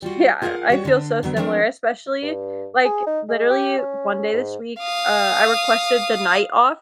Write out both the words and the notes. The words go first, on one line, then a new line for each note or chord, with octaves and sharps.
Yeah. I feel so similar, especially, like, literally, one day this week, uh, I requested the night off
G3 F4 F#4
F4 G#4 A#4 C#5 F5 F#5
G3 F#4 C#5
D3 D4
D3 F#3 B3
F3 A3 C4 D4 A#4
G2
G#4
D#4
G#3
G4
C#4
G#2
F5 D#6